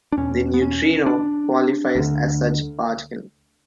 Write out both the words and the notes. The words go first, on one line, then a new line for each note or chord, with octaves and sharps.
The neutrino qualifies as such particle.
D4
E2 B2 C#4
B3
C#4
D4
D2 D3